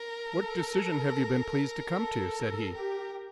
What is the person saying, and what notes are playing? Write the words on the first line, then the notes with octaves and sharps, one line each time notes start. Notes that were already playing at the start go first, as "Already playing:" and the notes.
"What decision have you been pleased to come to?" said he.
Already playing: A#4
A4
A4
G4 A#4